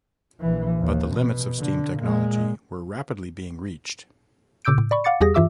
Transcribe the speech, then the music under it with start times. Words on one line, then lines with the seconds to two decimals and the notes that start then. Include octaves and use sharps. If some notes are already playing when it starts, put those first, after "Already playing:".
But the limits of steam technology were rapidly being reached.
0.40 A#1 E3
0.80 D#2
1.15 B2
1.59 D3
1.99 A#2 G#3
4.65 A#2 C#3 D6 E6 G6 D7
4.78 A2
4.91 D5 B5 C#6
5.04 F5 F#5 D6 A6 C#7
5.21 E2 G3 G4 G#4 D#6 A#6
5.34 G2 E3 F4 E5 D6 E6